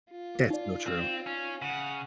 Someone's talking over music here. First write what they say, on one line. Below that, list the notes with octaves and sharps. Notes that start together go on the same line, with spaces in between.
That's so true.
F4
D#4 D5
C4
C#4
C#3 F#5